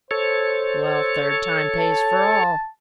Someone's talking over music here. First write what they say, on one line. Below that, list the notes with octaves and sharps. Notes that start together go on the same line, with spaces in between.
'Well, third time pays for all.
A4 C5 C#5
A5